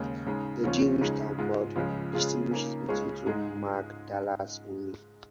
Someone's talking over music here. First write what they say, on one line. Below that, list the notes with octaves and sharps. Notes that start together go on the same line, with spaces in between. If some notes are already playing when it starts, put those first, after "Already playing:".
The Jewish "Talmud" distinguishes between two Magdalas only.
Already playing: D#2 C#3 G#3
C#3 G#3 D#4
D#2 C#3 F3 C#4 F4
C#2 C#3 G#3 D#4 G#4
G#2 G#3 F4
C#2 C#3 F3 G#3
C#3 G#3 F4 G#4
C#3 A#3 D#4
C#2 C#3 G#3 C#4 G#4
G#2 G#3 D#4 G#4